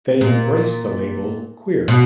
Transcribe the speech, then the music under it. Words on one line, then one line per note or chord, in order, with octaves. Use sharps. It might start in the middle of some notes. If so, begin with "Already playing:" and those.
They embrace the label queer.
A#2
B2